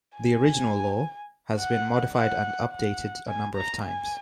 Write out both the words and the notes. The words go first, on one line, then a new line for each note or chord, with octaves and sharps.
The original law has been modified and updated a number of times.
G#5
F#5
F#5
F#5
G#5
A#5
G#5